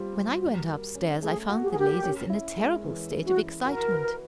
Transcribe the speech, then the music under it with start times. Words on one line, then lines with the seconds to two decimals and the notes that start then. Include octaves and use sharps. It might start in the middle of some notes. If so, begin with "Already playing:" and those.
When I went up-stairs, I found the ladies in a terrible state of excitement.
Already playing: G3 C4 F4
0.15 G3
0.41 F#4
0.69 A#4
0.95 C#4
1.23 A3 G#4
1.49 F#4
1.63 G4
1.71 G#4
1.76 G4 A#4
2.03 C#4
2.30 E4
2.58 G#3
2.84 E3
3.11 C#4
3.25 F#4
3.38 E4
3.65 F#4 A#4
3.92 B4